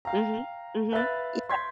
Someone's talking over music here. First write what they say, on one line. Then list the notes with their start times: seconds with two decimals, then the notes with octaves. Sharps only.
Mhm, mhm. Yeah.
0.05 F5 G5 A#5
0.92 B4 E5 F5 B5 F#6 A6
1.49 C6 G6 G#6 B6